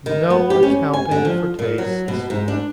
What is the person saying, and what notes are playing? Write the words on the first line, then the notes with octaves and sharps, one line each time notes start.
No accounting for tastes!
D#3
B3
G4
C#4
G#5
D3
F3
A#2
F#3
B2
G#2
D4